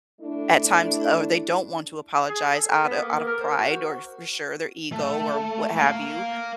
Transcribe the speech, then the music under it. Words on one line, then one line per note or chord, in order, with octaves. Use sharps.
at times or they don't want to apologize out of out of pride or, for sure, their ego or what have you.
A3 D4 E4
G#4
A4
B3
A#3
A#4
C5
F#4
A3
A#4 F5